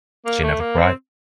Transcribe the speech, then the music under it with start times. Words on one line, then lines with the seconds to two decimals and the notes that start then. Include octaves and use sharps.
She never cried.
0.26 A#3
0.43 A3
0.60 A#3
0.78 C4